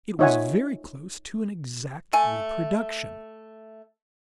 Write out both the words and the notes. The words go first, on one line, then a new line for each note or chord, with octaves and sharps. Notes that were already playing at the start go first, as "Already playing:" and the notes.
It was very close to an exact reproduction.
D#4 F4 C#5 E5 F#5 G#5
A3 G#5